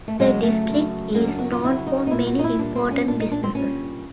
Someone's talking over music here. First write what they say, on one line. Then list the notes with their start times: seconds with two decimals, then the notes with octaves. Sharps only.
The district is known for many important businesses.
0.08 A3
0.19 F#2 C#3 F#3 G#3
0.43 A3
0.67 F#2 C#3 F#3
1.14 F#2 C#3 F#3 A#3
1.27 D4
1.39 F#4
1.52 F4
1.63 F#2 C#3 F#3 E4
1.87 D#4
2.07 D#4
2.11 A#2 G3 E4
2.27 F#4
2.39 D#4
2.44 E4
2.59 A#2 G3 D4
2.75 C4
2.91 C#4
3.07 A#2 G3 D4
3.20 D#4
3.31 D4
3.44 C4
3.55 A#2 G3 C#4